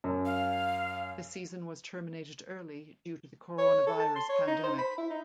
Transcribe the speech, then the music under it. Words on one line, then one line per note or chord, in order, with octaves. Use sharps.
The season was terminated early due to the coronavirus pandemic.
F#2
F5
C#5
A4
A5
C6
C#5
D#4
C5
B5
E4
D#4